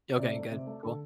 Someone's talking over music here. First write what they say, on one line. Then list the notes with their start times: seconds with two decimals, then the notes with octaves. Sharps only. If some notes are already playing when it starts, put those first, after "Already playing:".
Okay, good, cool.
0.18 C3 D5
0.35 A3
0.51 C3
0.67 A3
0.83 D3 A4